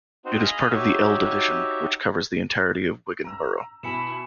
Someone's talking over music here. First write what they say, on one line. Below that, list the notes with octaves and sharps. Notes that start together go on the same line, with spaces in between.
It is part of the L division, which covers the entirety of Wigan borough.
C4 D#4 F#4 C5
G#4 D#5 F5 B5 D#6
D#4 F#4 G4 C#5 E5
A#5 E6
B2 E4 G#5 C#7 E7